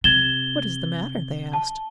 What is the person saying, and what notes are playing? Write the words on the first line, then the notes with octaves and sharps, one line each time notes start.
"What is the matter?" they asked.
C3 G#6 A6 E7 G7
A5